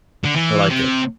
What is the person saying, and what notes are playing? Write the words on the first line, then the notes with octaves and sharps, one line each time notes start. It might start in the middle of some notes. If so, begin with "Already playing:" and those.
I like it.
D3
E3
C3